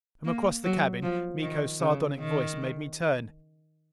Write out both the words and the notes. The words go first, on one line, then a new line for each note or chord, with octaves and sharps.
From across the cabin, Miko's sardonic voice made me turn.
A#3
F#3
F3
D#3
C#3
D#3